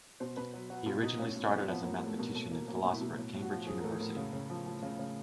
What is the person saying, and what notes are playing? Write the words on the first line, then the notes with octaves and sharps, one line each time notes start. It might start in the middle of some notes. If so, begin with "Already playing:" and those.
He originally started as a mathematician and philosopher at Cambridge University.
B2 C5
B2 B4
F#3
F#3 F#4
B2 F4
B2 D#4
A2 C#4
A2
C4
F3
F3 B3
A2 A#3
G3
A2 A3
B2 A#3
B2 A3
F#3 A#3
F#3 A#3
B2
E4
B2
A2
A2
F#4
F3
F3 G#4
A#4
A2 A4
A2 A#4
C#3
C#3
F3
F3
C#3
C#3